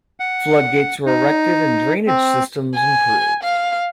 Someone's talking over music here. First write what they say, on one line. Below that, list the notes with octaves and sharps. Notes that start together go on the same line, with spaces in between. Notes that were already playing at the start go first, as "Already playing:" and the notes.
Flood gates were erected and drainage systems improved.
F#5
D#4
C4
G#5
F5